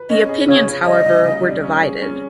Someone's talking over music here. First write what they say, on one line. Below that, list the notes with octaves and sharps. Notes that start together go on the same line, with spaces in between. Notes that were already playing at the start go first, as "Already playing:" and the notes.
The opinions, however, were divided.
Already playing: B4
C#4 D#5
G#4
C#3 C#5
C#4
G3 D#5
C#3
C#3
G3
C#4
G#4
C#4